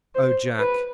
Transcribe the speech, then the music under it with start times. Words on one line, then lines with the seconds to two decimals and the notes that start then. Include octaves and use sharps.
"Oh, Jack!"
0.15 C5
0.59 B4